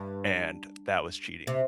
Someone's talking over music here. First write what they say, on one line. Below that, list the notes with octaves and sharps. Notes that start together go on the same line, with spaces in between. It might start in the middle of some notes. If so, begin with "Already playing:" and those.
and that was cheating.
Already playing: G2
C3